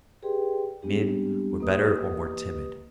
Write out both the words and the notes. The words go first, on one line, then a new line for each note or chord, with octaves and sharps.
Men were better, or more timid.
G4 G#4 B4 D5 G5 C6
G3 G#3 B3 C4 D4 G4
A#3 G4 B4 D#5 D#6